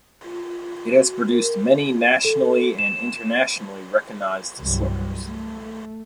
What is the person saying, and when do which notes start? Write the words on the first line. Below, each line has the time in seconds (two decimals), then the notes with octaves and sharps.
It has produced many nationally and internationally recognised swimmers.
0.24 F4
0.89 F#4
1.31 A#4
2.25 A4
2.79 E7
4.60 C2 G2 E3 F#3 G3
5.24 A3